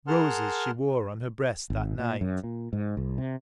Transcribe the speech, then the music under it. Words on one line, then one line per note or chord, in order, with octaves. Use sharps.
Roses she wore on her breast that night.
G#4 A#4 F#5 A5 C6 F6
G#1
A#2
F#2
A#2
G#2
C2
C3